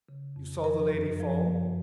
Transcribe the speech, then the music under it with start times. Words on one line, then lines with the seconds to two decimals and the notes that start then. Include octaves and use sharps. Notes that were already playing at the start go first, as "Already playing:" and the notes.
"You saw the lady fall?"
0.09 C#3
0.36 F2
0.64 F3 A#4
0.92 F#2
1.20 F3
1.47 F#2